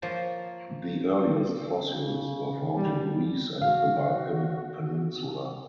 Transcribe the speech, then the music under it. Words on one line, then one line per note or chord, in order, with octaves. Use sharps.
The earliest fossils were found in Greece and the Balkan peninsula.
F3 A#3 C5 C#5 A5
C#3
G3
F#4 F5